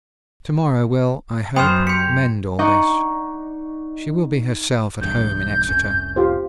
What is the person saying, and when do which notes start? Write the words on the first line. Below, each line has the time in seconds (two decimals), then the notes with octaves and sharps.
To-morrow will, I hope, mend all this; she will be herself at home in Exeter.
1.56 F#2 B3 C5 G5 C6 F6
1.87 G4 C6 C#7
2.59 D#4 D5 D#5 F#5 A#5 C#6
5.01 B1 E2 G2 G6
5.68 F1 C2 C#4
6.16 F4 G4 C5